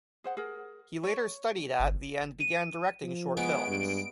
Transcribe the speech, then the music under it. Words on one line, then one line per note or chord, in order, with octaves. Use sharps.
He later studied at the and began directing short films.
G#4 C5 F#5
G#4 A#4
C#5
G1
D#7
F3
G#3 B3 C#6 D7
G2